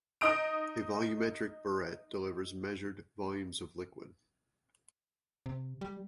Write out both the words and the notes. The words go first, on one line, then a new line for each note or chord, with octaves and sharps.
A volumetric burette delivers measured volumes of liquid.
D#4 D#5 D#6 D7
C3
G3